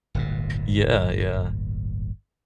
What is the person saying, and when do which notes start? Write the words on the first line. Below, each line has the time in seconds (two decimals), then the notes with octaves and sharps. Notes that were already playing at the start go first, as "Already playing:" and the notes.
Yeah, yeah.
0.15 D1 G1 A#2